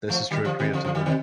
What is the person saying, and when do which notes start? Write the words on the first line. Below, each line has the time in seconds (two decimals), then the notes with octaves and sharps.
This is true creativity.
0.09 F3 A3
0.31 D#3 G3
0.45 D3 F3
0.59 C3 D#3
0.74 D3 F3
0.85 D3 F3
0.95 D#3 G3
1.06 C3 D#3